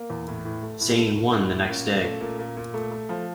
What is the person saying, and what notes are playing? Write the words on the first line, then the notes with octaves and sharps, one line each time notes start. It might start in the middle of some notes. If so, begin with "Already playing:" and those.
Sain won the next day.
Already playing: A#3
E2
A2
A2
A3
A2
G4
A2 A4
A3
A2 C#4
A2
A#2 C#4
A#2
A3
A#2
A#2
A#2
A3
A3
F3